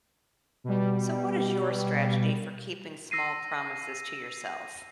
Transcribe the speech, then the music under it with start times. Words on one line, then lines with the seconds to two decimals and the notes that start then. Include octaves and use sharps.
So what is your strategy for keeping small promises to yourself?
0.64 B2 G3
3.11 E6 A#6 C7 D#7